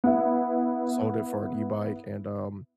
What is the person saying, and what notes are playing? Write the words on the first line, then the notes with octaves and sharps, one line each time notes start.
sold it for an e-bike and, um
B3 E4